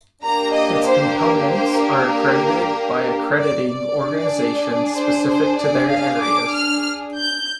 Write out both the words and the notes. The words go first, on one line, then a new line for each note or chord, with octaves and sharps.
Its components are accredited by accrediting organizations specific to their areas.
A#3 D4 G4 A#5
D#5
C5
A#4
C5
A#4
D5
D5
D4 G#4
C5
C5
D5
F5
D6
F6
G6